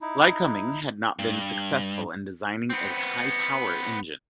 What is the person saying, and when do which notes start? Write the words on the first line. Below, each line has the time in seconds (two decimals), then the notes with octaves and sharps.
Lycoming had not been successful in designing a high-power engine.
0.01 D#4 E4
1.19 G2
2.70 B3 C4